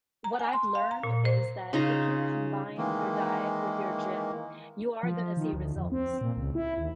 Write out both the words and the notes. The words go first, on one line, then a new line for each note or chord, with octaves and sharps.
what I've learned is that if you combine your diet with your gym, you are gonna see results.
A#5
G#5
C6
F5
A#5
A#2
C5
C#3 D#4 F4 A#5
D#3 E3 G#3 A#3
F3
D#3
D2
F2
C4
A#2
C#2
E4
D#2